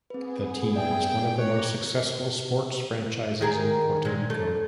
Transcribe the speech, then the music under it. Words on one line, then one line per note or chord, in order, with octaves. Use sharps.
The team is one of the most successful sport's franchises in Puerto Rico.
B3 C4 G#4 B4
D5 E5 G5 G#5
C#5 A#5 D6 F#6
D#3 G#4 A#4
A#2 G#3
A3